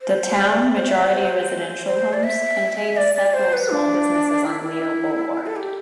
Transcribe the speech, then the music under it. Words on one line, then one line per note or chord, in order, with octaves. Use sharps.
The town, majority residential homes, contains several small-business' on Lido Boulevard.
C5
D5
D5
C5
E5
C5
C5
D5
E5
D5
D5
C5
B4
D4
E4
E4
A4
G4